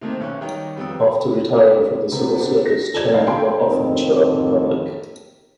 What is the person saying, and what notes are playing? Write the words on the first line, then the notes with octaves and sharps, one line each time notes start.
After retiring from the civil service, Chan did not often show up in public.
C3 D#3 A3 A#3 C4
B1 C#4 C#6 F#6
D#3 G3 C#5 G5 A#5
F2 G3 B3 G5 D#6 E6
C3 B3
B3 C4 D4
A#6
F3 A4 D5 G#6
G#3 D#4 E4 D5 F5
D4 A4 G5 A5 B5 C6
F2 A2 D#3 C4